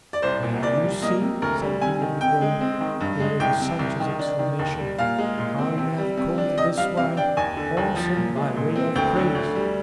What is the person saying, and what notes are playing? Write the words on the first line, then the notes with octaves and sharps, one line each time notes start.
"There, you see," said he of the Grove, hearing Sancho's exclamation, "how you have called this wine whoreson by way of praise."
D5
C2 C5
A#2
C2 D5
G3
A#3 D#5
C3
D2 A#4
G3
C3 G#5
D#3
C3 G5
G#3
C4
D#3
G2
G#3
C2 G5
C3
C2
D#3
D4
D#3
D#2
G3
A#2 F5
G#3
A#2
C4
C3
G3
C3
D4
C3 D#5
G3 F5
C3 F5
D4 G5
D#2 G#5
D3
D#2
F3
A#2
G#3
A#2
C4
D2 G5
D3
D2
G3